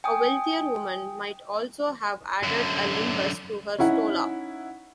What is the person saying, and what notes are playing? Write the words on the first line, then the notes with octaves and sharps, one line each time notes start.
A wealthier woman might also have added a limbus to her stola.
G5 G#5 D#6
F#2 D3
C#4 D#4 E4 F#5